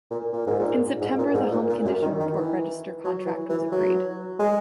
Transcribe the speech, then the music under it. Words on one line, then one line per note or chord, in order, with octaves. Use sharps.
In September the Home Condition Report Register contract was agreed.
A#2
A#2
G#2
A#2
G#2
A#2
G#2
A#2
A#2
F#2
D#3
D#3
E3
F#3
E3
E3
F#3
G#3